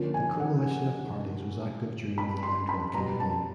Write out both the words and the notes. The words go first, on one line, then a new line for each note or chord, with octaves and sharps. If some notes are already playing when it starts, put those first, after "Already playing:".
The coalition of parties was active during the electoral campaign.
Already playing: D3 F3 A#3 C#4 F4
G#5
F#5
B5
C6
B5
B2 G3 B3 A#5
A5